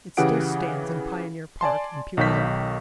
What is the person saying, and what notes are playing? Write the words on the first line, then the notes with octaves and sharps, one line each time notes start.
It still stands in Pioneer Park in Puyallup.
C#3 E3 G4 G#4 F#5 D7
D5 G#5 A5 C6
B1 D#3 F5 C#6 G6 B6